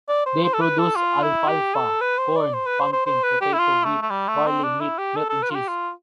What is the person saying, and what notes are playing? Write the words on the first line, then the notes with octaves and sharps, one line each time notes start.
They produce alfalfa, corn, pumpkin, potato, wheat, barley, meat, milk and cheese.
D5
C5
C5
A4
B4
A4
F4
E4
G4
A4
B4
C5
D5
C5
B4
C5
C5
C5
B4
G4
E4
F4
A3
A3
G3
A3
C4
D4
E4
G4
A4
A4
B4
F4
G4
F4